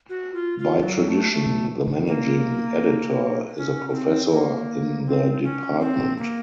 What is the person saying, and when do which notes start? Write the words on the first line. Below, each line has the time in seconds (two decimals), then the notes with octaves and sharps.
By tradition, the managing editor is a professor in the department.
0.09 F#4
0.33 F4
0.59 F4
0.83 F#3
1.08 A3
1.32 A3
2.07 A#3
3.57 C#4
3.89 C#4
3.94 C4
4.32 A#3
5.06 C4
5.43 C#4
5.80 C4
6.18 A#3